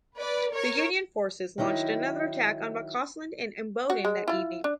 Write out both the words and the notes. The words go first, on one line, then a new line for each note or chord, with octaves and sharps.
The Union forces launched another attack on McCausland and Imboden that evening.
B4 D5
A#4 C#5
D#3 F#3 D#4 E4
F#4
G#3
E4 F4
D4